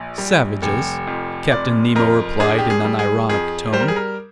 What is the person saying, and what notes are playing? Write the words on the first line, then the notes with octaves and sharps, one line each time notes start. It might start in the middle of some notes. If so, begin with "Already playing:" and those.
"Savages!" Captain Nemo replied in an ironic tone.
Already playing: A#1
G3
F1
F2
F1 D5
F2 A#4
D4 G#4
G4
G#4
G3
G#4
F2 G#4
G3 C5
A#4
G#4
A#4